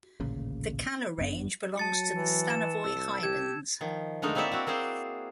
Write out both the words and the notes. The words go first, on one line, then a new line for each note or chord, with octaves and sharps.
The Kalar Range belongs to the Stanovoy Highlands.
A1 D2 A#2 C#3
G1 F#2 B3 D4
F#3 A5 A6 C#7
E3
E7
C2 E6
C2 G4 G#6 E7
D#3 F3
D3 G#3 A3 D#4 A#4
A#3 C4 E4 C#5 D5 E5
C4 F#4
A#3 C4 G#4 C5